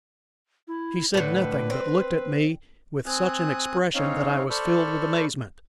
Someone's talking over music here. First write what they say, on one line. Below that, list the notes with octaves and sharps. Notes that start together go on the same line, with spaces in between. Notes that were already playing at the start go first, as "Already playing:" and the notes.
She said nothing, but looked at me with such an expression that I was filled with amazement.
E4
A2 D3 B4
C4
C4 G#5 D#6 F#6
C4 C#4 D#4 C#5 F5
A4 C5 D5 B5 C#6 F6